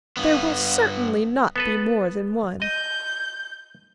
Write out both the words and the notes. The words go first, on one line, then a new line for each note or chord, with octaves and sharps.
There will certainly not be more than one.'
G2 B3
B3 A4 B4
D#5 G6